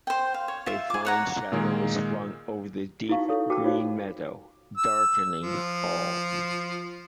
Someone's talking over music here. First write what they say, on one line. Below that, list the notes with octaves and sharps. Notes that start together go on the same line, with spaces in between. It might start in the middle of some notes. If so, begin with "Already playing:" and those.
A fine shadow was flung over the deep green meadow, darkening all.
C5 G5
F5
C#5
F4 E5
G#4 D6
C#5 F#5 A#5
A#2 D#3 G#3 G#4 A#4
D#4 E4 F#4 B4 F5 C#6
A4 C#5
F#4 B4 G5 A5 D6
D#4 F4 F#4 C5 C#5 F5
E6
F3